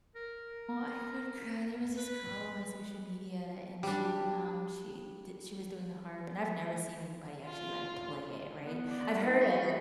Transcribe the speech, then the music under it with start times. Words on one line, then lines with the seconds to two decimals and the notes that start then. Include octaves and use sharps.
I could cry. There was this girl on my social media, and she um, she did she was doing the harp, and I've never seen anybody actually, like, play it, right? I've heard of
0.16 A#4
1.98 B4
3.83 G3 D4
7.44 F4
8.66 B3
8.91 D5
9.21 D#4 A#4 B4
9.41 G3 D#5 B5 C#6